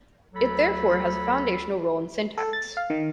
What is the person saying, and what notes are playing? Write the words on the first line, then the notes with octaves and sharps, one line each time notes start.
It therefore has a foundational role in syntax.
D2 F#3 A4 B5
A4
A6
F5
D#3